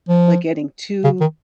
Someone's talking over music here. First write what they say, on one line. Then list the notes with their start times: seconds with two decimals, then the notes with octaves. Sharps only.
like, getting too
0.09 F3
1.04 C#3
1.21 D#3